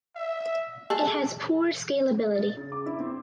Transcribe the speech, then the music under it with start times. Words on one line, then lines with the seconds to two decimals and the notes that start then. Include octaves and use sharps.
It has poor scalability.
0.16 E5
0.90 G#4 A4
2.35 A6
2.57 C#3
2.72 D6
2.86 E4
3.00 C4